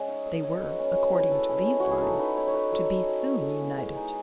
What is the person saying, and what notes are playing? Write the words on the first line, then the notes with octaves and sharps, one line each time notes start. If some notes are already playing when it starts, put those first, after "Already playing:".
They were, according to these lines, to be soon united.
Already playing: G#3 C#4 F#5 G#5
D#4 E5
A3 D#5
A3 C#5
C#5
F#3 B4
C#4
F#3
E4
B4
G#3 A4
C#4
G#3
E4 F#4
G#4
D#4 A4
D#4 B4
A3 C#5
C#5
A3 B4
F#3 A4
C#4
F#3
E4
G#3 A4
B3
G#3 G#4
D#4